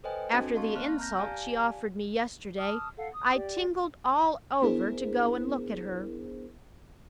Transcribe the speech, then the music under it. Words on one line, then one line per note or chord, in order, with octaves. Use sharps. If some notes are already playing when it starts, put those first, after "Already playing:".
After the insult she offered me yesterday, I tingled all over to go and look at her.
A4 B4 C5 D#5 G5 G#5
C4 D4 F#4 A4 A5 G#6
D#5 F5 A5 C6 C#6
A#3 C4 A5 F6 F#6
A#5 F6 G6 A#6
G4 D5 F5 G#5 A5
A5 D6 D#6 F6
A4 F5 F#5
D#6
G4 D5
B3 D4 E4 G#4 A#4 C5